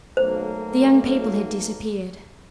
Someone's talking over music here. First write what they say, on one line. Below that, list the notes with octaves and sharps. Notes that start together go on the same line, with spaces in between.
The young people had disappeared.
B1 A3 A#3 C5